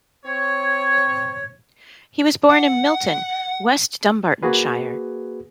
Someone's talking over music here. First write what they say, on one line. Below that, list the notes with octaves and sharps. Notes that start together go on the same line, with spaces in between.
He was born in Milton, West Dunbartonshire.
C4 C#5
F#5
A#3 F#4 G#4 B4